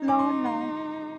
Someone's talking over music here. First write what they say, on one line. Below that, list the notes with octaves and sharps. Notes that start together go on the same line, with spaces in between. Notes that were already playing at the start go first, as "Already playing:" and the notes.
Law no.
Already playing: D#4
D6
C6
C6